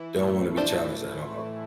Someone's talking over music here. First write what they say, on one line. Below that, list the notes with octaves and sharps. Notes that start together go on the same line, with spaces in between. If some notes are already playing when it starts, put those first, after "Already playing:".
Don't wanna be challenged at all.
Already playing: E3 E4
A2 A3
D4 F4 A4 C5